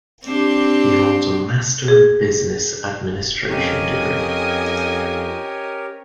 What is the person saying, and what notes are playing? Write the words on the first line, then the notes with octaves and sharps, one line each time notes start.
He holds a Master of Business Administration degree.
C4 D4 G4
G#4
F2 C#4 G4 A#4 C5 C#5 D#5 G#5